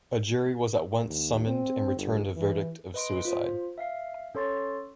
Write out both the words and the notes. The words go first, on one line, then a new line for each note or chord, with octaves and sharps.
A jury was at once summoned, and returned a verdict of suicide.
D#2
C4
G1
E3
B4 D#5 C6 D7
F4 C5
E5 F5 C7
C#4 A4 C#5 C6 C#6 A6